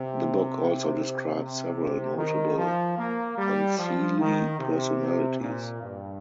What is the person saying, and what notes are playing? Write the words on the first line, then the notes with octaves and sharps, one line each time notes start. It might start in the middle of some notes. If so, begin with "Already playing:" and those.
The book also describes several notable Unseelie personalities.
Already playing: C3
C3
D#3
F3
A#3
G3
F3
D#3
C3
A#2
G2